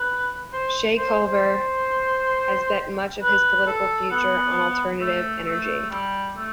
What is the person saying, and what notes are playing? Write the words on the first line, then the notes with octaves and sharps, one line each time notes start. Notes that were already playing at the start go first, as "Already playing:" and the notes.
Chet Culver has bet much of his political future on alternative energy.
Already playing: B4
C5
C5
C5
B4
A4
B3
A3
A3
G3
A3